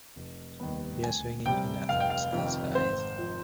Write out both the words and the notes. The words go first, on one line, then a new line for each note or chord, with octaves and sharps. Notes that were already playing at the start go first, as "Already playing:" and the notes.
Beer-swigging Ina acts as her eyes.
F1
D#2 D#3 G3 B3
D2 G#5
C3 G3 G5
F1 F5
G5
F5
F2 C3 D#3
G#1 C5
F3